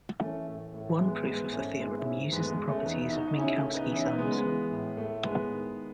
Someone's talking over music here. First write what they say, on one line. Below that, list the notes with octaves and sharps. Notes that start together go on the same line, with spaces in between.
One proof of the theorem uses the properties of Minkowski sums.
E3 A3 C#4
A2 A3
A2 A3
E3 G#3 B3
G#2 G#3 B3
G#2 A3 C#4
A3
D#3 G#3 B3
C#4 E4
G#2
E2 G#3 B3
A3
G#3
B2
A3 C#4
E2 B3 D#4
E4
B2 D#4 F#4
D#4
C#3 C#4 E4
A3 C#4
C#3
B3 D#4
E3 C#4 E4
B3 D#4
C#3 G#3 B3
G#3 B3
E3
A2
A2 A3
A2 G#3 B3
D#3